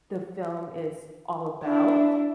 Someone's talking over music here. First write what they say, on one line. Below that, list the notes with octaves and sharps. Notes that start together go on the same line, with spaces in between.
the film is all about.
D4 E4